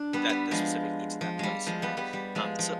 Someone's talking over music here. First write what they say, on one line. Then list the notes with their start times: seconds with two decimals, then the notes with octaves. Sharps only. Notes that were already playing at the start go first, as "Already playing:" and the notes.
that the specific needs of that place, you know? Um, so
Already playing: D4
0.13 G3 B3
0.29 G3 B3
0.51 F3 G#3
1.21 F3
1.39 G3 G#3
1.67 F3 G#3
1.82 G3 B3
1.97 G3 B3
2.13 G3
2.35 F3 G#3
2.59 F3